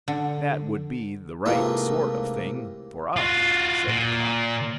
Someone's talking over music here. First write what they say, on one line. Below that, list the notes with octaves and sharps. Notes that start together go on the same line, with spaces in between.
"That would be the right sort of thing for us," said the cock.
D3
G#2 C3 E3 A3 A#3 F4
F4 F#4
A#2